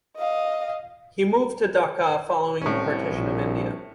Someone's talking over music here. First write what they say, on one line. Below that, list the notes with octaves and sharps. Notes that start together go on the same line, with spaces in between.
He moved to Dhaka following the Partition of India.
D#5 F5
C2 A2 C#4
A#1